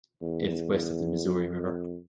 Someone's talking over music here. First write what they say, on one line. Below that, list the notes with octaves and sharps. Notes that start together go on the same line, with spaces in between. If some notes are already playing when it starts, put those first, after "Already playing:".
It is west of the Missouri River.
E2
F2